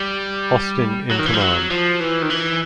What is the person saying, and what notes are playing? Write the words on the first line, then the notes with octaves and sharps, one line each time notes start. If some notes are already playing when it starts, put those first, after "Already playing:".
Austin in command.
Already playing: G3
F#3
D#3
E3
F3
F#3
F3
E3
D#3
E3